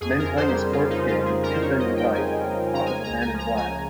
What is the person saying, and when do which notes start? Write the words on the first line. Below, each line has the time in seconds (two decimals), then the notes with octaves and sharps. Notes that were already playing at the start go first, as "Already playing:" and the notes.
Men playing a sports game with two men in white on top of a man in black.
0.01 F2 G#4
0.19 A#4
0.25 F2
0.37 C5
0.48 G3
0.72 C#3 F4
0.90 D#4
0.96 F2
1.07 F4
1.19 F2
1.25 G#4
1.43 G3 A#4
1.54 C5
1.61 C#5
1.67 C#3
1.79 D#5
1.91 F2
1.97 G5
2.14 F2 G#5
2.38 G3
2.62 C#3
2.74 A#5
2.86 G#3 G#5
3.03 A#5
3.09 C#2
3.21 G#5
3.33 F3
3.39 A#5
3.57 C#3 G#5